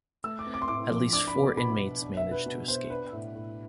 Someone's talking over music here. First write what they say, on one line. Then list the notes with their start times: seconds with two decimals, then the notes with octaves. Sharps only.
At least four inmates managed to escape.
0.24 A3 E6
0.39 D6
0.47 C4
0.54 D6
0.62 C6
0.68 A2 D6
0.91 F3
1.13 D4 D6
1.28 B5
1.35 B2
1.57 B2 B5
1.80 B3
2.02 D4
2.17 E5
2.24 B2
2.31 B4
2.46 B2
2.68 B3 C5
2.90 D4 B4
3.13 A2
3.35 A2